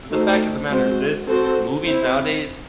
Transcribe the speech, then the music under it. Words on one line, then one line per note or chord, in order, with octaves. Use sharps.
but the fact of the matter is this, movies nowadays,
A3 D#4 F#4 A4 C5
G#3 C4 F#4 C5
C4 F#4 A4 C5
C4 E4 C5